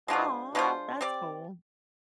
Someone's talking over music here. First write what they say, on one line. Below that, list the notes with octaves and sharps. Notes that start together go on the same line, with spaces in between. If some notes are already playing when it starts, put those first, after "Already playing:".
Aw, that's cool.
B2 G#3 D4 F4 C5
B2 G#3 D4 F4 C5
C4 G4 D5